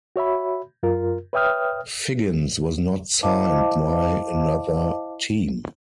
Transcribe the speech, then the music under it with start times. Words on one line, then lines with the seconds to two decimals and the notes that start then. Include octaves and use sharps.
Figgins was not signed by another team.
0.16 F#4 C#5 E5 B5
0.83 F#2 F4 A#4
1.33 B4 C#5 E5 G5 D#6 F6
3.23 E4 C5 D#5 F5 A5 D6